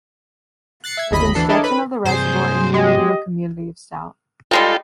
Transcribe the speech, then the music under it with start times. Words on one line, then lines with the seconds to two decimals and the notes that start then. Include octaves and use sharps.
The construction of the reservoir inundated the community of Stout.
0.84 F#6 A6 C7 C#7
0.97 E5 G#6
1.11 G1 D#2 D#5 B5 B6
1.34 D2 E3 D4 A4 C7
1.49 D4 E4 A4 A#4 C#5 D#5
1.64 B4 B5
2.05 G2 C3 G#4 C5
2.74 G#3 G4 D#5
4.51 G3 G#3 D#4 F4 A4 G5